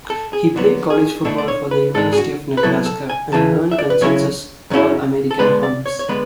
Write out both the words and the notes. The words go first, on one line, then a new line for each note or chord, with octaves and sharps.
He played college football for the University of Nebraska, and earned consensus All-American honors.
A4
G#4
D3 F#3 B3 F#4
G#4
B2 A3 D4 A4
D5
C#5
B4
G#2 G#3 D4 A4
G#4
F#4
B4
B2 F#3 B3 E4 A4
A4
G#5
E2 C#3 E3 A5
E5
D5
B4
C#3 F#3 C#4 E4 C#5
F#2 C#3 F#3 C#4 E4
A4
D3 G#3 B3 D4 B4
D5
C#5
C#5
D3 G#3 B3 B4